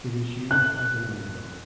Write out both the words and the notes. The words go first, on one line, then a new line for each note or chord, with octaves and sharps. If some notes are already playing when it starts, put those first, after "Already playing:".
It is used as an eye drop.
F#6